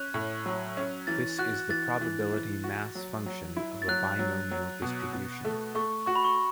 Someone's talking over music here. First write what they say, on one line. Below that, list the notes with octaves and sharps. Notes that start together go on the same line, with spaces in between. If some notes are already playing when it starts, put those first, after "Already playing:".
This is the probability mass function of a binomial distribution.
Already playing: C#4 F#6
A2
F#3
C#4
E3 A6
F#4 F#6
E3 A6
E3
E3
F#4
F#3
F#3
E4
A6
F#3 F#6
F#3
F#3
B2
B2
A3
A3 C#6
F#4 C#6
B5
C#6